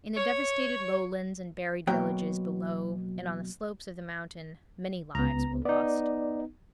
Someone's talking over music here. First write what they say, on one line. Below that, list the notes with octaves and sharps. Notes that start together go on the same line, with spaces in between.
In the devastated lowlands and buried villages below and on the slopes of the mountain many lives were lost.
C#5
B2 F#3 A#3 F#4 C#5 G5
C#2 B3 A#5
B3 D#4 D5